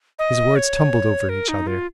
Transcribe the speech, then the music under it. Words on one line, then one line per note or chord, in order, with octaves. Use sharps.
His words tumbled over each other.
D#5
C#5
A#4
D#4
F4